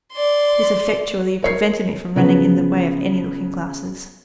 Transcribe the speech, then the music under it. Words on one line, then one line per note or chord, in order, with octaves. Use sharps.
This effectually prevented me from running in the way of any looking-glasses.
D5 C6
A#4 C#5 C7
C#3 F3 B3 B4